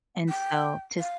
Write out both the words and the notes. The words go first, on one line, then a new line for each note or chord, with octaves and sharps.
And so to
G5
F5